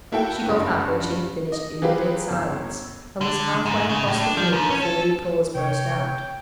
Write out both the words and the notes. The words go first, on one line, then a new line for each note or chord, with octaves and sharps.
She got up when she had finished in a dead silence and was half-way across the room before the applause burst out.
A#3 E4 F#4 A4 E5 G5
F#1 G2
D#5
E3 F#3 F4 G4 G#4 B4
G1 E6
D3
G#2
C#3
A2
D4
F3
D#2
C#4
A4
C3 C#5 G5